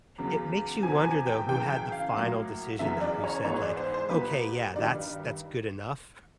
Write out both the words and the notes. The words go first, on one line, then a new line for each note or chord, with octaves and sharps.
it makes you wonder, though, who had the final decision, though, who said, like, "Okay, yeah, that's that's good enough."
E2 C#3 F#3
E2 C3 F3 G#5
G#5
G5
F#2 C#3 E3 G5
G5
F5
A2 F#3 A#3
F#2 C#3 E3 G#3 B3 E5
D5
C#5
G#2 E3 G#3 B3 C#5
D5
C5
C5
A#2 G3 B3 B4
G2 D#3 G3 D5